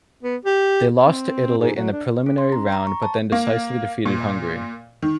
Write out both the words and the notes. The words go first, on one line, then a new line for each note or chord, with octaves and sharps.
They lost to Italy in the preliminary round but then decisively defeated Hungary.
B3
G4
C4
G#2
F#3
D4
C#4
C6
A#5
A#5
C#6
A5
A#3
A#2
D#3